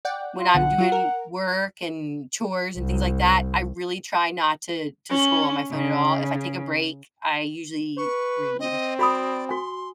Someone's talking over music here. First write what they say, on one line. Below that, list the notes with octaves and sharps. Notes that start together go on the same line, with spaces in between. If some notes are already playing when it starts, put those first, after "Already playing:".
when I'm doing work, and chores, and things like that, I really try not to to scroll on my phone at all. If I take a break, I usually read.
D5 F#5 G5
F4
B1 B2 D3 F#5
F#3 F4 F#4
A#4
C2
C#4
C#3
B4 C#6
C4 D#5
F#4 D5 B5 D#6
F#4 G#5 C6